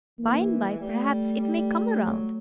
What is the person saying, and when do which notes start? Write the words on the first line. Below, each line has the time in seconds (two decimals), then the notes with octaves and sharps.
By-and-by, perhaps, it may come round.
0.19 E3 A#3
0.80 G3 A3
1.41 G3
2.01 F#3